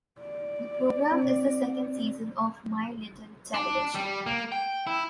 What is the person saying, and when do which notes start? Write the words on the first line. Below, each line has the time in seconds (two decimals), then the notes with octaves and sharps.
The program is the second season of "My Little Television".
0.19 D5
1.11 C4 D4
3.54 D4
3.95 G3
4.26 A#3
4.52 G5
4.87 E4